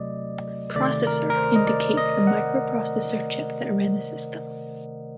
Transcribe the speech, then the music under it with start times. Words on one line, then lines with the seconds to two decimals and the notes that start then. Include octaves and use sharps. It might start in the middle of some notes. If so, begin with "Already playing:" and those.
"Processor" indicates the microprocessor chip that ran the system.
Already playing: C3 F#3 A3 D5 D#5
0.76 C3 D#3 A3 D5
1.07 A#4
1.30 A#4
1.37 C5
1.56 D#5
1.67 D5
1.97 D#5
2.27 F#5